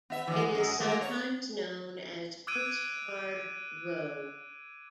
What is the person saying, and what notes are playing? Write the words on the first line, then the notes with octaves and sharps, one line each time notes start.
It is sometimes known as Postcard Row.
B3 E5
E3 F#3 G#3
F#2 G#3
F#3 G#3 A#3
C#5
D6 E6 F#6 G#6 D7 D#7